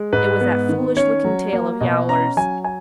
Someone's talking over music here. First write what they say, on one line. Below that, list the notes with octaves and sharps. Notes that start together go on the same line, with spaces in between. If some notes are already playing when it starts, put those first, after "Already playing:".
It was that foolish looking tail of Yowler's.
Already playing: G#3
G#2 B4
B3
D#3
C#4 C#5
F#3
A#3
B2 D#5
C#4 A#5
F#3 G#5
G#5